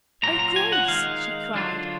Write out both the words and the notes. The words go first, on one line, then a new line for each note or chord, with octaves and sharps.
"Oh, Grace," she cried.
A#2 F#3 A#3 F4 A#5
A#5
G#5
F#5
D#3 G#3 D#4 F5
D3 F#3 D4 F4